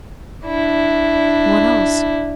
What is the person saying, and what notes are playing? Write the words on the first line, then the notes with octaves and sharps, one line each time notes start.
What else?
D4 E4